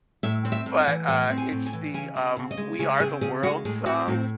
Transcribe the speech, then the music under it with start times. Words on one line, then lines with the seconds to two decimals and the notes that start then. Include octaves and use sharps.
but, uh, it's the, um, We Are the World song.
0.23 A2 E5
0.45 C4
0.52 E5
0.66 A2
0.80 F#5
0.87 E3
1.08 A2 F#5
1.30 C4
1.37 G#5
1.52 A2
1.66 G#5
1.73 E3
1.94 C#3 G#5
2.16 C4
2.37 C#3
2.51 D#5
2.57 G#3
2.79 C#3 G#4
3.00 C4 G#4
3.21 C#3 G#4
3.43 G#3 F#4
3.65 A2 G#4
3.86 C4 F#4
4.07 A2 D#4